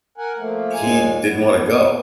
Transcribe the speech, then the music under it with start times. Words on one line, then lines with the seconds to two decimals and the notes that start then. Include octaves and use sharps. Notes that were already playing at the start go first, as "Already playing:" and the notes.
he didn't wanna go.
0.18 A#4 F#5 G#5
0.38 F3 A3 A#3
0.74 D#2 A#2 G#3 G#5
1.24 B3